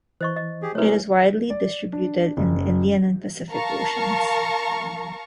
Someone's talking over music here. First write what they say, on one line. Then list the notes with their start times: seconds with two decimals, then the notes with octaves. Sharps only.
It is widely distributed in the Indian and Pacific Oceans.
0.21 E3 C5 D#5 C#6
0.36 D#5
0.62 G4 G#4
0.75 C3 F#3 G#3 A3 D#4 E4 B4 C#5
0.88 G#5
1.50 D5
1.93 D4
2.37 F#1
3.51 A#4 F5 A5 A#5 C#6